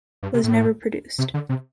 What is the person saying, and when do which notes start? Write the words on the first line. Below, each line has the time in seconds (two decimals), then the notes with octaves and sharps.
Was never produced.
0.23 G2
0.34 C3
0.44 A2
1.18 C3
1.34 D3
1.49 C3